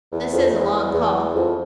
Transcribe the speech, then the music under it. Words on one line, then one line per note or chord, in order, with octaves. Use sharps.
'This is a long call.
E2
F2
F2
E2
E2
F2